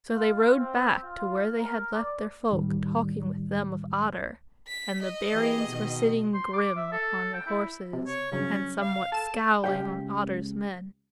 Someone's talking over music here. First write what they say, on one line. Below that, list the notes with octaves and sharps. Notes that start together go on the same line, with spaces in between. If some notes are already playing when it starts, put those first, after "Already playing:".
So they rode back to where they had left their folk talking with them of Otter; and the Bearings were sitting grim upon their horses and somewhat scowling on Otter's men.
F4
C4
F4
A#4
D5
D2 A2 D#3 G3
B6
D#5
E3 G4 G#4
B2 D#3
C6
D6
E5
A4
G5
E4
C3
C#5
G2 C#3 F#3 C#4
F5
A4 A5 E7
C#2 B2 G4 F5 G5